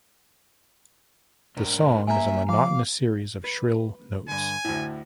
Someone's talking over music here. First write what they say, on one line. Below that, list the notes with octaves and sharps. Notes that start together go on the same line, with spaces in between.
The song is a monotonous series of shrill notes.
G#2 D4 A#4
F#3 A#3 E5 G#5 A#5
F3 F5 D6
B4
G2 D3 G#5
D2 A2 E4